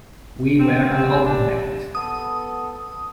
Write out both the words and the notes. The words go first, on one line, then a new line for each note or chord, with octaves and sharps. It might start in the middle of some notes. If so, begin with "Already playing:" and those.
We were an album band.
C4
G4
D4
B3 A4 D#6